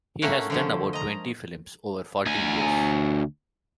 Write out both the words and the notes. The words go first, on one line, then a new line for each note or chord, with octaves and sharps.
He has done about twenty films over forty years.
A3 A#3 C#4 F#4
D3 F3 C#4
D#5 A#5
D2 G#5